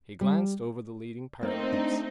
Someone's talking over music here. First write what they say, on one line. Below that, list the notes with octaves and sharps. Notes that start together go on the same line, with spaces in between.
He glanced over the leading paragraphs.
G3
A3 A#3 C4 D#4
D4